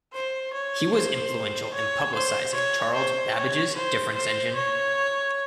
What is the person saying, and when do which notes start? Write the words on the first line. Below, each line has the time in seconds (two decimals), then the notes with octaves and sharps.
He was influential in publicising Charles Babbage's difference engine.
0.14 C5
0.53 C#5
0.94 C5
1.74 C#5
2.15 C5
2.55 C#5
2.95 C5
3.35 C#5
3.75 C5
4.15 C5
4.56 C#5